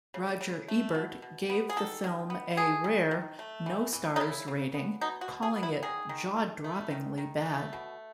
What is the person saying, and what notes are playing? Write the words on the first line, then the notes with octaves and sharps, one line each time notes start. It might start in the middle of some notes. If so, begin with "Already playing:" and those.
Roger Ebert gave the film a rare no-stars rating, calling it jaw-droppingly bad.
C#3
C#3
A3
B2
B2
B3
G#4
D#3 A4
D#3
B3
A3 G#4
D#3
D#3
A3
E3
E3
D#4
C#3 E4
C#3
B3
B2 D#4
F#4
B2
G#4
B3
E4
D#3 G#4
D#3
A3
A3
D#3
D#3
A3
B2